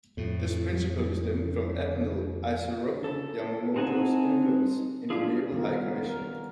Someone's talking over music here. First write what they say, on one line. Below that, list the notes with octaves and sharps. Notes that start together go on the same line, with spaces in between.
This principally stemmed from Admiral Isoroku Yamamoto's influence in the Naval High Commission.
F2 A2
A4
C4 D#4 F#5 G#5 A5
C#4 D4 F4 G#4
D#3 G3 B3 F4 A#4
C#4 A#4